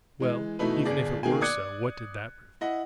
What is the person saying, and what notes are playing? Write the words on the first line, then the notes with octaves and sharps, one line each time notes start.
Well, even if it were so, what did that prove!
E3 G#3
B2 E3 A3 D#4 E4 B4
G1 G#4 D5
B2 D#3 A#3 G#4 G5 G#5
D5 D6 D#6 F#6 G#6 C#7
E4 D#5 F#5